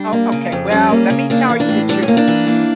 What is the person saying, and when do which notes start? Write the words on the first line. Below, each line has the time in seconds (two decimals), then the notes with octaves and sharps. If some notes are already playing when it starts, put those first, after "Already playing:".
Oh, okay. Well, let me tell you the truth.
Already playing: G3 D4
0.13 A#3
0.32 C#3
0.52 F2
0.71 G3 C#4
0.91 A#3
1.10 C#3
1.30 A#3 D4
1.50 E3
1.60 D4
1.69 A2
1.89 G3 D4
2.03 C#4
2.08 A#3
2.17 D4
2.28 E3
2.47 A#3